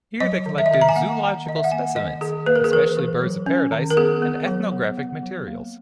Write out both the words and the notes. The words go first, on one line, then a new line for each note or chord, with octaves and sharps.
Here they collected zoological specimens, especially birds-of-paradise and ethnographic materials.
F#3 D#5
D#3
E5
D#5
D#3 E5
A#5
G#5
A#3 F#5
D#3
D#3 D#5
E5
F#5
A#3 G#5
D#3 D#5
D#3 G#4
A#3 B4
A#4
G#4
E3 A#4
E3
F#3
C#4
D#3
A#4
B3 G#4
B3
F#3
B3
B3
F#3
A#3